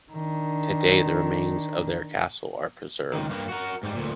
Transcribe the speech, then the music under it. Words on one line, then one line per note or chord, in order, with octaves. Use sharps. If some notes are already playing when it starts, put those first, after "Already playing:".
Today, the remains of their castle are preserved.
D#3 D4
C#2 D#3
G2 A#3
F#4 A#4
G#2 G3
D2 A#2